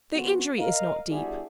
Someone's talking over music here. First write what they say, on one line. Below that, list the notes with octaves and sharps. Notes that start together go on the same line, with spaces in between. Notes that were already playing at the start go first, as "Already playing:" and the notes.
The injury is not deep.
A#2 F3 B3 F#4
A#4 D#5 F5
G3 B3 D4 E4 F#4 G#4